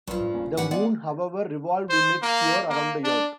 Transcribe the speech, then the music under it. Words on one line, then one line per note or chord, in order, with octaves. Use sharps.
The Moon, however, revolved in its sphere around the Earth.
A#1 G2 F3 F#3
A2
D#1 A#3 C#4
G#2 E3 G3 C#4 B4 F#5
G#3 B3 D5 F#5
C5
A#3
A#3
D4